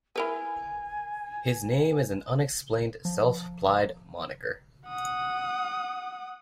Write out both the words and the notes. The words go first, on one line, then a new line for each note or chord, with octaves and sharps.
His name is an unexplained, self-applied moniker.
E4 A#4 B4 G#5
F3
F#5 D#6